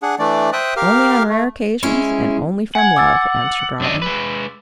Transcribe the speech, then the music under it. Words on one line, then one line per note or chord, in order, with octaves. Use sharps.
"Only on rare occasions, and only from love," answered Robin.
D4 G#4 F#5
E3 A3 D4 D5
C5 E5 G5 D#6 F#6
G4 A#4 F5 F6
A3
G#3 C#4 E4 G#4
F#5 G#5 G#6
D6 E6 A6
F#2 D4 D#5
G#3 B4